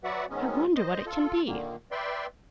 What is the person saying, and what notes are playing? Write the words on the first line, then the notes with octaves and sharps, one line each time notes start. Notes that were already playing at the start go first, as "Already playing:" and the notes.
I wonder what it can be!
F#3 F#4 B4 D5 E5 F#5
G#2 D#3 F#3 G#3 B3 C#4
C5 D#5
F4 A4
A#2 D3 D#3 A#3
B4 D5 E5 G5 C6